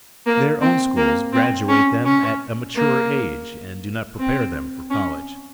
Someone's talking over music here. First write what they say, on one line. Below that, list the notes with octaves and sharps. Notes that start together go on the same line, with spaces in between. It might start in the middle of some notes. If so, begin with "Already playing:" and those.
Their own schools graduate them at a mature age and do not prepare them for college.
A#3
C4
A#3
C4
C#4
C#4
A#3
C4
C#4